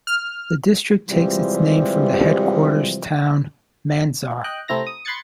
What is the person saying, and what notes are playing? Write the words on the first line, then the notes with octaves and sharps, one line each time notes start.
The District takes its name from the headquarters town, Mandsaur.
F6
C3 E3 F3 G3 G#3
D#5 G5 F#6
C3 A3 C4 E4 A#5 A#6
D#6
B5 C6 F#6 G#6 A6 C#7